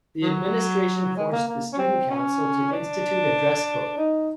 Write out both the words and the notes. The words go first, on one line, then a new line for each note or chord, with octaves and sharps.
The administration forced the student council to institute a dress code.
F#3
G#3
A#3
A#3
C#4
C4
C#4
D4
D#4